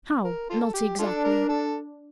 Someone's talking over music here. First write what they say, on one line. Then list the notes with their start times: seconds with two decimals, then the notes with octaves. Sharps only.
"How, not exactly?"
0.24 A#4
0.50 F4 A4
0.74 G4
0.99 D4 F4 A4
1.24 A#4
1.49 A4